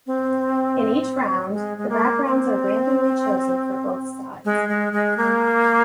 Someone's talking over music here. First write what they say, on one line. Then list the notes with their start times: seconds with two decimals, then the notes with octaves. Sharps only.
In each round, the backgrounds are randomly chosen for both sides.
0.07 C4
1.52 G#3
1.77 G#3
1.89 A#3
2.26 C4
4.45 G#3
4.69 G#3
4.92 G#3
5.17 A#3